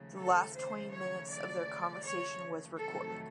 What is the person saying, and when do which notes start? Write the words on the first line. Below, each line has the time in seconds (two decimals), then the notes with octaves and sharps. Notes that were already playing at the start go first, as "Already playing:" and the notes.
The last twenty minutes of their conversation was recorded.
Already playing: D#2 C#3 F3 A3
0.17 A4
0.56 C5
0.93 C#5
1.29 D5
2.04 C#5
2.78 F2 C3 D#3 F#3 A3 A4